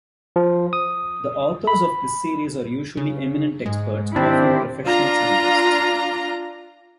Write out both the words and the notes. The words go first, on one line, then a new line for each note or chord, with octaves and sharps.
The authors of this series are usually eminent experts, often professional scientists.
F3
D#6
B5
C#3
G#2 G#3
D#3 C4 D4 E4 G4 C5
D4 F4 A#5